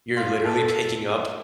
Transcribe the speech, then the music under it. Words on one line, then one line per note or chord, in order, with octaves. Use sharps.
you're literally picking up
F4
A4